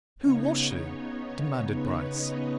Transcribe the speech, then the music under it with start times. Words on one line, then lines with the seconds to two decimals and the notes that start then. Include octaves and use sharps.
"Who was she?" demanded Bryce.
0.20 C#3 B3 D#4 C#5
1.73 B4
2.12 D#5